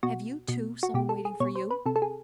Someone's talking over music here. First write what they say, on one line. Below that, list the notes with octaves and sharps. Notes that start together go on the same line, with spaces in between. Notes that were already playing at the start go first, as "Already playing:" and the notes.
"Have you, too, some one waiting for you?"
B2 F#4
B2
F#4
B2 G4
A4
G#4
B2 C#5
C5
B4
C3 A4
A4
G#4